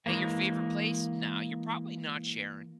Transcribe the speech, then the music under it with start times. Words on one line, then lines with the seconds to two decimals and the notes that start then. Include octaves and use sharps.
at your favorite place nah. You're probably not sharing.
0.06 E3 G#3 A#3